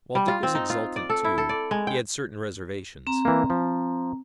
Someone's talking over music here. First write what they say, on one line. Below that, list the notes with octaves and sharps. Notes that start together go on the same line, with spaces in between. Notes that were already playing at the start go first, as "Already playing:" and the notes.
While Dick was exultant, too, he had certain reservations.
G3
F4
C4
D#4
F4
D5
A4
E4
A4
D5
G#3
G5
C4 A#5
E3 A#3
F3